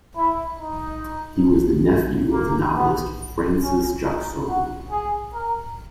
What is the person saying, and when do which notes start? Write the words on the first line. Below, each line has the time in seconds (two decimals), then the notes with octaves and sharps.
He was the nephew of the novelist Frances Jacson.
0.16 E4
0.59 D#4
2.33 A#3
2.75 B3
3.62 C#4
4.05 D#4
4.48 F#4
4.91 G#4
5.34 A#4